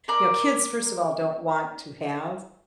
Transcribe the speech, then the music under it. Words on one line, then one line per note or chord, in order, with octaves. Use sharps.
You know, kids, first of all, don't want to have
A#4 D5 A#5